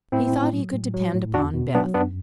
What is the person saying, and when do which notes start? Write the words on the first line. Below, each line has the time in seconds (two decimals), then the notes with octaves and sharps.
He thought he could depend upon Beth.
0.12 A2 C4 E4
0.33 A2
0.53 F#3
0.73 A2
0.94 F#3
1.13 A2
1.34 E2 D4 F#4
1.54 B2
1.75 F#3 B3 D4
1.94 F#2 B3 D4